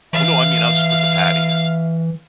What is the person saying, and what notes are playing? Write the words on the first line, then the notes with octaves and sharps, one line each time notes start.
Well, no, I mean, I'll just put the patty in
E3 E5 F5